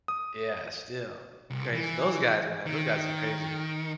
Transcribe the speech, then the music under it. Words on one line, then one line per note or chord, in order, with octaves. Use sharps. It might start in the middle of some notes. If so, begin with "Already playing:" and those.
yeah, still crazy, those guys, man, those guys are crazy.
D#6
C2
E3
D#3